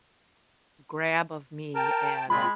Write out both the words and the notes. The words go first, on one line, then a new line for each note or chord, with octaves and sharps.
grab of me and
A#4 G5 A5
A#2 G#3 C4 F4 B5